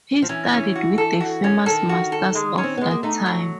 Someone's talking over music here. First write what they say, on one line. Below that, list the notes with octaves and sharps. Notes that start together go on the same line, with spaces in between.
He studied with the famous masters of that time.
F3
E3 C#4
C#4
F#4
A4
F#4
C#4
D#3 A4
F#4
A4
G#3
C#4
C4
G#3 B3
A#3
A3 D#4
F#3